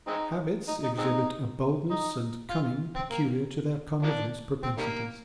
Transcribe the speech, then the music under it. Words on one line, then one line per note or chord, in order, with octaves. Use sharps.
Habits exhibit a boldness and cunning peculiar to their carnivorous propensities.
G#3 C4 D#4
D#4
D#4
G#3 C4 D#4
D#4
F4
C4
A#3
F3 A#3 D4
C4
D#3 G3 A#3